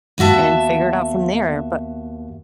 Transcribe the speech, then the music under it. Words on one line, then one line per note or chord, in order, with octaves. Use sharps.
and figure it out from there. But
D#2 B3 F#4 E5 A5